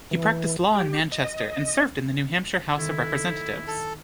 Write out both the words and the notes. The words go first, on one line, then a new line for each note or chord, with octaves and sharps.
He practiced law in Manchester and served in the New Hampshire House of Representatives.
E3
G4
D#5
D#3 C4 E4 A4
A4 F6